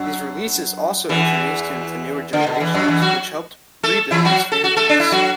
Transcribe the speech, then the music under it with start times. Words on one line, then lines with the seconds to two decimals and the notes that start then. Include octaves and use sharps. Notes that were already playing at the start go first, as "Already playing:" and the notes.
These releases also introduced him to newer generations, which helped rebuild his fan base.
Already playing: F#2 F#3
1.09 E2 E3
2.33 D3
2.47 B2
2.60 E2 E3
2.74 F#2 F#3
2.88 E2 E3
3.01 F#3 F#4
3.83 A3 A4
4.11 E3 E4
4.25 F#3 F#4
4.52 A4
4.64 F#4
4.77 A3 A4
4.89 D4
5.00 E4
5.12 F#3 F#4